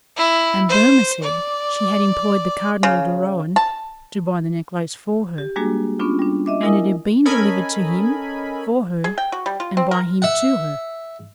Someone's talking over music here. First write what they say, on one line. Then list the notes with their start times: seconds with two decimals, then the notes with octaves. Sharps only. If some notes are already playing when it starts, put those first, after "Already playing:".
And Boehmer said, she had employed the Cardinal de Rohan to buy the necklace for her, and it had been delivered to him for her, and by him to her.
0.17 E4
0.69 C5
1.23 D5
2.83 C#3
3.56 A5
5.38 G4
5.56 G3 G#3 A#3 D4 F#4 G#4
6.00 B3 C#4 D4 F4
6.19 G3 D4
6.46 D#5 E5 D6
6.62 E4 A#4 D#5 G#5 D#6
7.26 C#4 A4 A#4 D#5 G#5 B5
9.04 G#4
9.18 G5
9.32 F#4
9.46 G3
9.60 F4
9.77 C4
9.91 A#4
10.22 E5 F#5